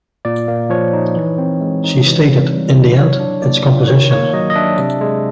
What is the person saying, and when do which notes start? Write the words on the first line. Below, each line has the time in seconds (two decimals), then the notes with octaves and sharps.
She stated, In the end, it's composition.
0.25 A#2 D5
0.48 A#3
0.70 F3 C#5
0.93 D#4
1.16 E3
1.38 C4
1.61 G#3
1.84 D#4
2.06 E3
2.28 C4
2.52 G3
2.74 E4
2.97 F#3 C#5
3.20 D4
3.42 A#3 D5
3.65 F4
3.88 D#3 C#5
4.11 A#3 C#5
4.34 F#3 D#5
4.50 D#5
4.55 D4 E5
4.78 C3
5.01 G#3